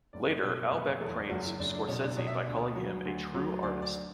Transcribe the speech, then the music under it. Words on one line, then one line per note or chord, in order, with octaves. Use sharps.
Later, Albeck praised Scorsese by calling him a "true artist".
F#1 D5
D5
B2 C#5
F#1
B4
C#5
E2 A4
D5
F#1 F#4
E4
F#1 D4
D4
B2 C#4
D4
B2 C#5
E5
D5
D2
F#3
D2
F#3
D2 D5
D5